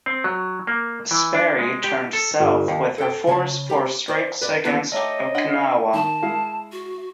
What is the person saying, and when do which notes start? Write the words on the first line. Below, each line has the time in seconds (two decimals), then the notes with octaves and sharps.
"Sperry" turned south with her force for strikes against Okinawa.
0.06 C4
0.24 F#3
0.67 A#3
1.11 E3
1.35 D4
1.59 G#3
1.84 G4
2.13 A4
2.40 G1
2.68 D#2
2.98 A4 G5
3.27 C#3 C#5 F#5 A5
3.70 G4 B5
4.08 C5 D5
4.41 B4 D5
4.65 D#2 B3 E4 B4 A5
4.92 A3 D#4 G4 C#5 D#5
5.34 E3 D4 F#5 G5
5.94 D#3 A5
6.22 G#3 E4 F5
6.72 F#4